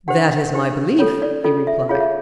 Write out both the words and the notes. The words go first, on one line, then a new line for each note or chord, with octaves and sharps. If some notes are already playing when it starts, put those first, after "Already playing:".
That is my belief, he replied.
D4 G4 C5 F#5
D4 G4 C5
C#4 F4 A4 C#5
D5
C#4 F4 A4 D#5
E5
F4 G#4 C#5 F5
E5